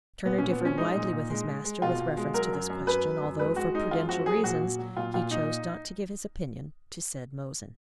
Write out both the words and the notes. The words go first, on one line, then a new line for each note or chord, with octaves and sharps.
Turner differed widely with his master with reference to this question, although, for prudential reasons, he chose not to give his opinion to said Mosen.
A#2 B3
C#4
A#2
B3
F3 C#4
G#3 D#4
A#2
A#2
G#3
G#3
G#3
B2 F4
B2
G#3
F#3 A#4
F#2
F#2
F#2 B4
F#2
F#2
G#3 B4
G#3 F#4
G#3 D#4
F#2 F4
F3 F#4
F#2 G#4
A#2 F#4
A#2
F#3
A#2 F4
A#2 F4
A#2 D#4